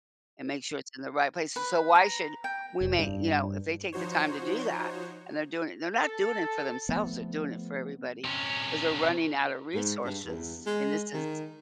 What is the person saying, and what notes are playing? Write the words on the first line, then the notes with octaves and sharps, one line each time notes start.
and make sure it's in the right place. S so why should we make, you know, if they take the time to do that, and they're doing it and they're not doing it for themselves, they're doing it for everybody 'cause they're running out of resources and this is
B4
A#5
G5
F1
G2
F3 D#4 F#4 C5 C#5
A4
F3 A3 B3
C3 C#4
G#2
G2
E2
G#3
D#3